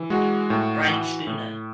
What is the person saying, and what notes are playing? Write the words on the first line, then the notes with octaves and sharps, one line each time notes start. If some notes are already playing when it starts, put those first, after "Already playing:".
Brian Spooner.
Already playing: E3
G#3 F#4
A2
E3
A2